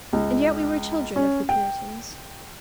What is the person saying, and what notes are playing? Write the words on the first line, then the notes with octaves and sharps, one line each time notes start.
And yet we were children of the Puritans.
C#2
C#4
G5